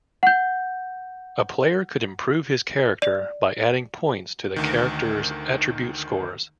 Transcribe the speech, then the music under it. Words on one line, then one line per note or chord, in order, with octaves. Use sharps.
A player could improve his character by adding points to the character's attribute scores.
F#5 G6
D5
D2 D#3